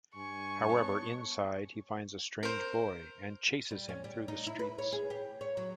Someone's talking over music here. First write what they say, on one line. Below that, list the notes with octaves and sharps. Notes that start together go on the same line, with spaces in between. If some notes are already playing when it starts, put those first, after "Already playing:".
However, inside he finds a strange boy, and chases him through the streets.
G2 G#5 C#6
B3 C#5 A5
A#4 C5
G3
C#4
G3
D#4
E4
B4
C#5
G#4
G4
C#5
F#3